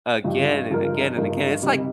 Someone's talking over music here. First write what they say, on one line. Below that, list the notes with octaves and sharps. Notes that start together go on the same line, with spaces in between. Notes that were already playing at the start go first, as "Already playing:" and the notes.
Again and again and again. It's, like,
G2 F3 D#4 G4
G2 F3 D#4 A#4
G2 F3 D#4 A#4
C3 G3 D#4